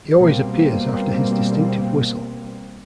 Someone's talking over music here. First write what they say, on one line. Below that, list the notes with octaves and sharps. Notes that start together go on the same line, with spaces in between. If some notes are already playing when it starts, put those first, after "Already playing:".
He always appears after his distinctive whistle.
B2 G3 A#3 C4